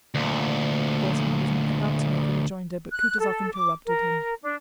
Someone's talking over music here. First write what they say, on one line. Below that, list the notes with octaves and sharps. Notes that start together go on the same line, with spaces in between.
Wolzogen was about to make a rejoinder, but Kutuzov interrupted him.
D2 A#2
F#6
A4
D6
A#4
D4